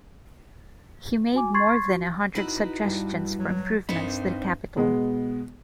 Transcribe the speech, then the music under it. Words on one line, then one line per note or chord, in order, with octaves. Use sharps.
He made more than a hundred suggestions for improvements to the capital.
F#4 G#5 D6
C6 C#6 G#6 A6 C7
F#4
D#4 E4 F#4 B4
G2
F#3
G2 C4 D#4 C5 B5
B2 G#3 B3